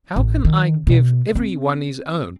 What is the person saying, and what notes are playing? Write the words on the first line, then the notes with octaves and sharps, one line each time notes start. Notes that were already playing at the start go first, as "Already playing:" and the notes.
How can I give every one his own!
A1
D#3
B2
C4